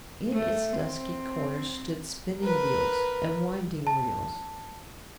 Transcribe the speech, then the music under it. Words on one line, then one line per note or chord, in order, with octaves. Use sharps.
In its dusky corners stood spinning wheels and winding-reels.
A3
C4
A#4 B4
A5